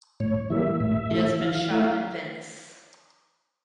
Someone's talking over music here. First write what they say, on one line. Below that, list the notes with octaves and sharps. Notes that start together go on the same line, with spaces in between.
It has been shot in Venice.
A2 C#5
E3 G3 A#3 E5
A2 E5
E3 A3
E3 F5
A3 E4 F5